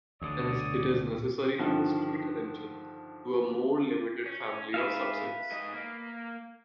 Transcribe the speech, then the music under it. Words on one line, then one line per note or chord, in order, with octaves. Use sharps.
Hence, it is necessary to restrict attention to a more limited family of subsets.
D2 D3 C#5 D5 D#6
G2 D3 D#3 F3
C#4
G#2 G#4 B4 E5 F5
G#2 D#5
A#3